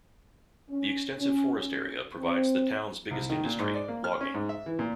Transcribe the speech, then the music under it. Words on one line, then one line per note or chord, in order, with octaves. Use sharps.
The extensive forest area provides the town's biggest industry, logging.
C#4
C#4
C#4
C4
C2
D#3
A#2
G#2
D5
A#3
F6
C#4
G#2
E5
E3
A#2